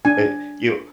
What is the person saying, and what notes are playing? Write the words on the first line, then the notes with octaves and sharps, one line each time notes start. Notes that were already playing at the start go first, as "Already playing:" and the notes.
eh you
D4 G#5